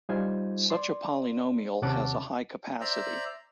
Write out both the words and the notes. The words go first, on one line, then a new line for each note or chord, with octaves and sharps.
Such a polynomial has a high capacity.
G3 D#4 F4 C5 G#5
D5 C6
D#2 C3 C#4 F#5 A5 D6
C5 D5 E5 A#5